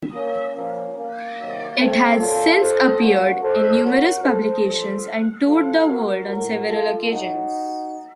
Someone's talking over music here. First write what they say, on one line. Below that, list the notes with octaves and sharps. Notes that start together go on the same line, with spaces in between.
It has since appeared in numerous publications, and toured the world on several occasions.
A#3 C#4
A#2 F3 A#3 C#4
A#3
C3 D#3 F#3
A3 C4
A#2 F#3 F4 A4
A4 C5
A#2 F#3 F#4 A#4
A4 C5
A2 F#3 F#4 A#4
A4 C5
A#2 F3 A4 C5
C3 F3 F4 A4
F#4 A#4
A2 F#3 F#4 A#4
F4 A4
A2 F#3 D#4 F#4